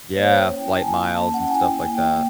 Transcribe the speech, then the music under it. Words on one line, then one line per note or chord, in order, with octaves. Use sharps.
Yeah, flight miles and stuff like that.
A#3 C#5
C5
C#5
C#4
G5
E4
A5
A#3 G#5
A#3
A5
C#4
F#5
G5
E4 G#5
A#3 G#5
G5
A#3